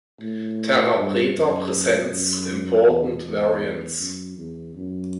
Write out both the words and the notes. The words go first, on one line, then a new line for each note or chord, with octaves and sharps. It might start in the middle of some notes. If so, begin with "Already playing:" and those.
Terra preta presents important variants.
A2
G2
F#2
F#2
E2
E2
F#2
E2
F#2